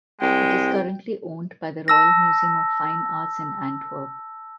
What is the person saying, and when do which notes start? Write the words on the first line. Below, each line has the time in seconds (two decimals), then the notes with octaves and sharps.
It is currently owned by the Royal Museum of Fine Arts in Antwerp.
0.21 C2 G#3 G5
1.88 A5 E6 A#6